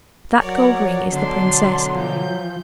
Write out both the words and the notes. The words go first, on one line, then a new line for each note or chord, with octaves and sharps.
That gold ring is the princess.
F#3 A#4 C#5 D5 F#5
B2 D3 D4 C6
E3 F3 G6